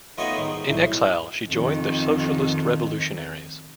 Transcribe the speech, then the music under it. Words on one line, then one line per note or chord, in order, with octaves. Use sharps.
In exile she joined the Socialist Revolutionaries.
D#3 A3 B3 F4 C#5 D#5
G#2 D#3
B1 A2
F2 D#3